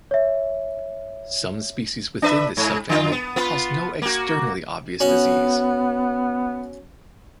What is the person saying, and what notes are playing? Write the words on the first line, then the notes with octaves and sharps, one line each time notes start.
Some species within this subfamily cause no externally obvious disease.
C#5 E5
D4 B4 E5
G#2
D3 F4
B3
B3 F4 B4
A#3 F#4
B3 C#4 F#4